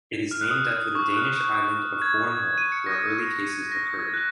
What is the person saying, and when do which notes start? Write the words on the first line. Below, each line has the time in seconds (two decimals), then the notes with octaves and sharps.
It is named after the Danish island of Bornholm where early cases occurred.
0.31 F6
0.41 F#6
0.51 D#6
0.60 F6
0.95 C#6
1.02 D#6
1.09 F6
1.17 F#6
2.02 G#6
2.58 D#7
2.72 C#7
2.86 A#6
3.14 G#6
3.72 A#6
3.99 G#6
4.14 F#6